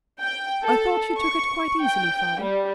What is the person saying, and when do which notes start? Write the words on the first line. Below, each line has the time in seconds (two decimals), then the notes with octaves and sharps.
"I thought you took it quite easily, father."
0.21 G5
0.65 A4
1.18 C#6
1.82 G5
2.41 G3